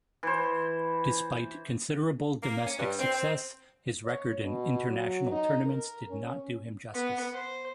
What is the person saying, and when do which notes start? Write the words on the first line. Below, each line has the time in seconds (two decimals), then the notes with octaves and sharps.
Despite considerable domestic success, his record in international tournaments did not do him justice.
0.23 E3 C5
2.42 A#3
2.66 C#4
2.78 G2
2.99 C4
3.13 C4
4.05 C#5
4.44 B2
4.89 F#3
5.32 D#4
5.66 A#4
6.11 C#4
6.93 B3
7.33 C5